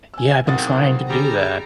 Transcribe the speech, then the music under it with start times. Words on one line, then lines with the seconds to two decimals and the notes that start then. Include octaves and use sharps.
Yeah, I've been trying to do that.
0.14 G#5 E6
0.47 B1 E2 A#3 C4 F#5 D#6 A6
1.09 D3 G3 G4 G#4 A#5